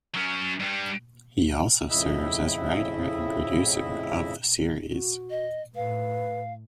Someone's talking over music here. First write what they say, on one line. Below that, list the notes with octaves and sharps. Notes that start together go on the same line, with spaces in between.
He also serves as writer and producer of the series.
F#3 C#4
G2 G3
F2 A2 C#3 E4 D#5 E5
F#4
D#5
A2 B4 F5